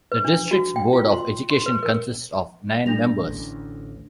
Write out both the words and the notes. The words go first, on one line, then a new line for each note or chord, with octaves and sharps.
The District's Board of Education consists of nine members.
B4
D4
F#4
G5
F4
C6
C6
B4
A#4
G3 D4 A#6 F7
A1 D2